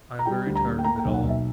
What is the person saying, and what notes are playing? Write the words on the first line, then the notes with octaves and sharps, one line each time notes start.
I am very tired of it all....
A#5
G3 G5
D2
A#5
A#3
G5
A#3 A#5
A#5
G5
B1
F#5
B1
E5